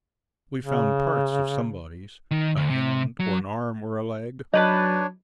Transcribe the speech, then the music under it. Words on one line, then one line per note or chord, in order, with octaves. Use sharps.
We found parts of some bodies--a hand, or an arm or a leg.
C#3
D#3
D2
C3
F#3
F#3 D4 D#4 B4 C#5 D#5 A5